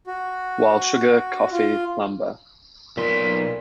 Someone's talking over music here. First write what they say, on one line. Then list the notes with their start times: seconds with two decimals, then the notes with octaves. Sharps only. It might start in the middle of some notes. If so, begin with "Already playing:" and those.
While sugar, coffee, lumber.
0.07 F#4
1.52 F4
2.97 B1 A#2 C6 B6